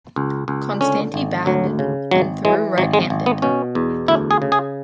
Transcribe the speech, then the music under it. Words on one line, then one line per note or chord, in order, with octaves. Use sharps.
Konstanty batted and threw right-handed.
C#2
C#2
D3 C#4
G#1
D2 F#3
C#3
G#1 F#3
E3 G#3
G#1 F#3
G#3
G#1
B3
B2 C#4
E2
D2 E4
G#4
C#3
G#4